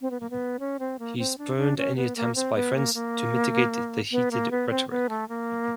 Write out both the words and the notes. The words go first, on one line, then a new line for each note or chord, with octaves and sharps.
He spurned any attempts by friends to mitigate the heated rhetoric.
C4
B3
A#3
B3
C#4
C4
A#3
C4
D4
D4
C#4
B3
A#3
C4
B3
A#3
A#3
B3
A#3
B3
C4
B3
A3
A#3